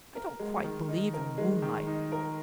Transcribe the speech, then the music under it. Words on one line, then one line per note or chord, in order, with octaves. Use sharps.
I don't quite believe in moonlight.
A#4
G#3
D#3
D#4
A#4
G#3
D#3
D#4
A#4